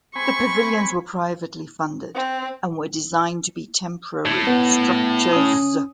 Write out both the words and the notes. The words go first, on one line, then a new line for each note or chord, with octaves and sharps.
The pavilions were privately funded and were designed to be temporary structures.
C4 G#5 B5 C#6
C4
A2
B3
C#4 D#6